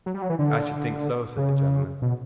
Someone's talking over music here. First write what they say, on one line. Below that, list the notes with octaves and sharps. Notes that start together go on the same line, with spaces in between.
'I should think so,' said the gentleman.
F#3
G3
F#3
E3
D3
C#3
B2